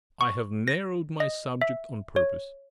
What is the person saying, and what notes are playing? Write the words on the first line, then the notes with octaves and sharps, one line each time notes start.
I have narrowed my subject on purpose.
C#6
A#6
D#5
E5
C#5